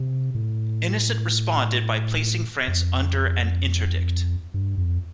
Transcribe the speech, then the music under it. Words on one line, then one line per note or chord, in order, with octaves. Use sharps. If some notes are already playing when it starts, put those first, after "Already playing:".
Innocent responded by placing France under an interdict.
Already playing: C3
A2
F2
G2
F2